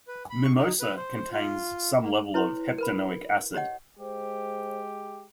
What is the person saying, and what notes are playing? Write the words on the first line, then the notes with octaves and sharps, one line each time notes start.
Mimosa contains some level of heptanoic acid.
B4
B5
C#6
D#4
B4
C5
F4
A#3
E4 B4 C#5 C6
A#4 B4 B5
G4 C#5 D#5 F#5
G#3 G4 C5